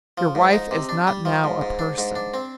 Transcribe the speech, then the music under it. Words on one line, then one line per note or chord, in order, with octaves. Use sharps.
Your wife is not now a person.
F3
G#2
D#4
C3
D4
G3
F3
G#2
G#2
D4
G#2
D4
C4